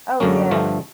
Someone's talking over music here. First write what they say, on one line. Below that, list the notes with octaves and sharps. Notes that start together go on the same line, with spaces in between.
Oh, yeah.
F#2 D3 F#3 A#3 C#4
G2 D3 F3 A3